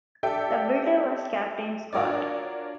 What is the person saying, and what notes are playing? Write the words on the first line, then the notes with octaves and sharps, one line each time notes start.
The builder was Captain Scott.
G4 A4 D5 E5 G5
D4 F4 F#4 A#4 C#5 D5